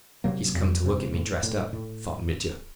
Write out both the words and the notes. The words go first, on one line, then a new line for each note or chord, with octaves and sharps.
"He's come to look at me dressed up," thought Mitya.
C3 F#3 A#3
F2
C3
A2
A2
A2